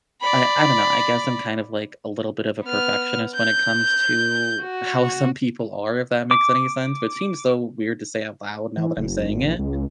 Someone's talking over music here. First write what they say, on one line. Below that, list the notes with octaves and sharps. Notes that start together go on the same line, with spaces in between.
I I don't know. I guess I'm kind of, like, a little bit of a perfectionist when it comes to how some people are, if that makes any sense. But seems so weird to say out loud now that I'm saying it.
D5 B5
B3 F6
G6
F#4
D6
E3
F#1
G#1
A#1
C#2